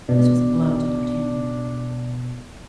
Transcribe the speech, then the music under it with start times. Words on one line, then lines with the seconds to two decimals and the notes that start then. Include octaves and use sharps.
This was a blow to D'Artagnan.
0.09 B2 D4